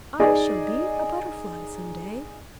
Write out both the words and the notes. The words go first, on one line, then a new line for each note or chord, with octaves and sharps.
"I shall be a Butterfly some day!"
D#4 G#4 D5 D#5